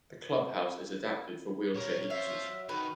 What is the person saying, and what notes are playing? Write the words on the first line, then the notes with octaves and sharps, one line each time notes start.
The clubhouse is adapted for wheelchair users.
B1 A#4 C#5
C5 E5 F5
F#3
D#3 F#4 B4